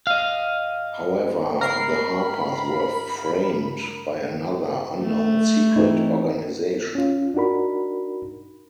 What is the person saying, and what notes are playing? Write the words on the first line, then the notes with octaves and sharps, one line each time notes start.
However, the Harpers were framed by another, unknown, secret organization.
D#5 F5
A#4 B5 C7
A3
E3 C4 D#4
C#4 F4
D4 D#4 F#4 A#4 B5